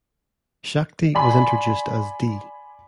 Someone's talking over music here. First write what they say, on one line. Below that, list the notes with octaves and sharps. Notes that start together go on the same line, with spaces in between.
Shakti was introduced as 'D.
D5 G#5 B5 C6